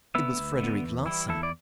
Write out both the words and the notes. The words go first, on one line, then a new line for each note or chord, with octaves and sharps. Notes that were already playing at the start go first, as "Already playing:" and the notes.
It was Frederic Larsan.
D3 B3 B4 E5
D2
D3 B3
E2
E3 G3 E4
E2 E4 A4
D5